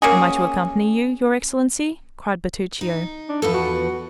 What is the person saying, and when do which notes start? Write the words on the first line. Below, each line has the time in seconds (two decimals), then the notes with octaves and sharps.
"Am I to accompany you, your excellency?" cried Bertuccio.
0.02 A#3 C#4 F#4 G#4
2.81 D#4
3.29 D4
3.42 E2 F3 A4 B4
3.54 F#4